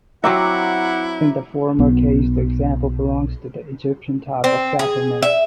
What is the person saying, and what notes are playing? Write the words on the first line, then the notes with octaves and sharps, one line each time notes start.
In the former case the example belongs to the Egyptian type of sacrament.
F#3 C4 E4 E5 F#5 A#5 D6
B1 B3
C4
G#4
E5